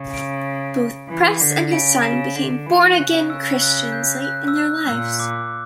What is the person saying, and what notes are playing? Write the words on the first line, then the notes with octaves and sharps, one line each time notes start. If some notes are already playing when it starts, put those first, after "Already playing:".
Both "Press" and his son became born-again Christians late in their lives.
Already playing: C#3
D7
E3
D3
C#3 D7
E7
D3
E3
C#3 F#6
E6
F#6
G6
F#6
E6
F#6
A#2 E6
D6